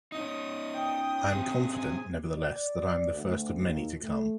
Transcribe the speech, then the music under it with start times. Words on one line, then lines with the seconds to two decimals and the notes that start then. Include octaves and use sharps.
I am confident, nevertheless, that I am the first of many to come.
0.12 C#4 D#4 D#6
0.73 G5
1.30 C3 G#4
1.75 G#5
2.37 D5
3.09 D2
3.60 D#2
3.99 A3